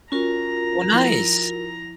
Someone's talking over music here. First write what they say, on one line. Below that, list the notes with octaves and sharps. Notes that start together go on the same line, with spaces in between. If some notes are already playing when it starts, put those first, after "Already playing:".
Oh, nice.
C#4 F4 F#4 A#4 A#5
F3 E4